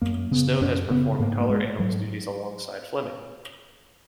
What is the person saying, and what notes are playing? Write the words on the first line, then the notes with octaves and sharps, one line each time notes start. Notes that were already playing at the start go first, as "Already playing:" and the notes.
Snow has performed color analyst duties alongside Flemming.
F#2 A#3
C#3 B3
F#2 C#4
C#3 B3
G#2 A#3
A#3
G#3
G#2 F#3